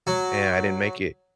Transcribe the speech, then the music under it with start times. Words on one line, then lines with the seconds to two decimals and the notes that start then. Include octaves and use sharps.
and I didn't make it.
0.07 F#3